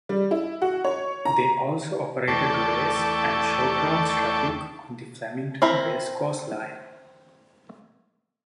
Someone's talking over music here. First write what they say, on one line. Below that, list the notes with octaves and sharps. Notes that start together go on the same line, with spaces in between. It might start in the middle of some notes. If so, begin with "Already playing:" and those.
They also operated race and showgrounds traffic on the Flemington Racecourse line.
G3
E4
F#4
C#5
A#5
E2 A3 A4 D5 G5 C#6
C4 E4 A#4 E5